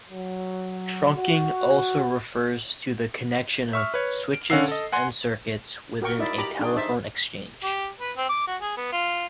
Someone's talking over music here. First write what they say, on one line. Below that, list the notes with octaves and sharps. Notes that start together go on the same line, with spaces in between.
Trunking also refers to the connection of switches and circuits within a telephone exchange.
F#3
F#4
E5 C#6 F6
B4 C#5
D7
D3 C#4 F5 F#5 E6 C7
A4 D#5
F#5 G#5 C6
F#4 A#4 G5 C#6
D#4 E4 D5 E5
G4 A#5 B5 D6
D4 D#4 G#4 G5
D#4 C5 E5 A5
G4
B4
C4
D6
F#4
G#4
B3
F4